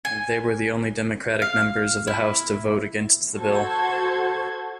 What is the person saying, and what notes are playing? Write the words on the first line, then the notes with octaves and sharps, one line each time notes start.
They were the only Democratic members of the House to vote against the bill.
G#5
F5
E4
F#4 A4 C5 A5 G#6